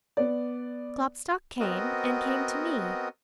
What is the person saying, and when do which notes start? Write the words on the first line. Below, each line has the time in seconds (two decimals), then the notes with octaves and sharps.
Klopstock came, and came to me.
0.17 B3 D5
1.60 B3 C4 F#4 A#4 D#5